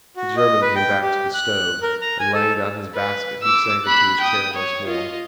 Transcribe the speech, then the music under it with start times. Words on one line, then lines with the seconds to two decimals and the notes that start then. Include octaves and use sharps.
The German came back to the stove, and, laying down his basket, he sank into his chair once more.
0.17 F#4
0.37 D#5
0.62 B4
0.76 G5
1.01 G4
1.34 F#6
1.83 A#4
2.01 A#5
2.20 G#5
2.34 A4
2.95 B4
3.43 D6 E6
3.86 B5 F#6
4.20 G5 D#6
4.54 C#5
4.87 F4 D#5